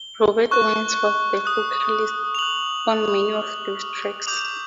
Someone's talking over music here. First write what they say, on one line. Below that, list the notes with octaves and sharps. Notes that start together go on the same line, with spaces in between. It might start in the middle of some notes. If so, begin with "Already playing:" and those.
Robert Owens was the vocalist on many of those tracks.
Already playing: G7
C#6 F#6
D#6 F#6
F7
D#6 F#6 F#7
D6 F6
F#7
D6 G6 F7